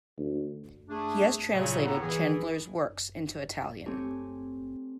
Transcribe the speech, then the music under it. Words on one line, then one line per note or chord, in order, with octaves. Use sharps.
He has translated Chandler's works into Italian.
D2
A3 D4 G#4
A#2 C#3 F#3
A2 D3 B3 A4 C#5 A#5
E3 G#4
A3 C4 G4 C#5 G#5